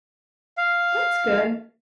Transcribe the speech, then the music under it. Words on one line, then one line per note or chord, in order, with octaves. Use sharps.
That's good.
F5